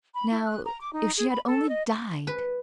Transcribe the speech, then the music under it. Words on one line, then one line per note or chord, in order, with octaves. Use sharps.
Now--if she had only died!
B5
E4
F#6
A#5
D6
D#4
G#4
B5
A4
D#5
B4